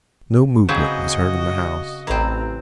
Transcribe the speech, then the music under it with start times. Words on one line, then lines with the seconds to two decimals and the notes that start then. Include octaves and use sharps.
No movement was heard in the house.
0.69 C#3 F#3 C4 F#4 G#4 B4 D#5
2.07 A1 E3 C4 A#5